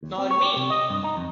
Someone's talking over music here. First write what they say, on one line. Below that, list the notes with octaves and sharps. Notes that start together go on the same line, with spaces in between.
Nor me.
D#2
C4
C#5
G4
C3
D#5
G2
D#4
F2